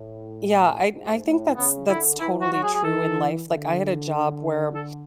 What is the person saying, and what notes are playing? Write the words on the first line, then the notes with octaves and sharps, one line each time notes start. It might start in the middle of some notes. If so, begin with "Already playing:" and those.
Yeah, I I think that's that's totally true in life. Like, I had a job, where
Already playing: A2
G#2
A2
C#3 B3
D3 E4
E3 E4
F#4
F#3 F#4
G#4
G#4
E3 A4
D3
A4